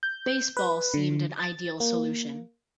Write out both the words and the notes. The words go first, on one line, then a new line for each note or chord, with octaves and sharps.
Baseball seemed an ideal solution.
G6
B4
D3
A6
A#3